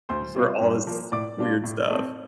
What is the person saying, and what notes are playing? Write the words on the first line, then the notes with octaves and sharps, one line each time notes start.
for all this weird stuff.
D2 C5 C6
C3 G3 C4 F4
G2
F3 A#3
A2 D5 D6
G3 D4 F4
A2
A3 C4